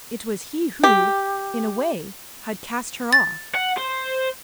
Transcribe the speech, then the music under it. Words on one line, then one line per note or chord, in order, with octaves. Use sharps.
It was he who, in a way, had cast her off.
G4
A6
F#5
C5